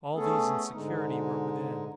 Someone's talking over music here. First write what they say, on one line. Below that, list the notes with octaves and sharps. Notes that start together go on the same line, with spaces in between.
All these and security were within.
A3 B3 C#4 G#4 A4
G#2 D3 G#3 D#4